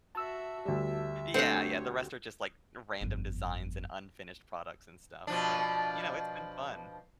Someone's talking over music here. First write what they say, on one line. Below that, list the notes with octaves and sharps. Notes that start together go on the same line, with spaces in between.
Yeah, yeah, the rest are just, like, random designs and unfinished products and stuff, but, you know, it's been fun.
F#4 E5 A5 E6
D2 G3 E5
A3 C4 D4 G4 A4 C#5 F#5
G1 F2
B2 F3 D4